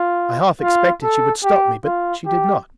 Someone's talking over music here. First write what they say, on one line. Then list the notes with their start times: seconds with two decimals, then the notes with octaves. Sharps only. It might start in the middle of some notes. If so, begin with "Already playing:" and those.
I half expected she would stop me, but she did not.
Already playing: F4
0.62 F4
1.03 A4
1.44 G4
1.85 F4
2.26 G4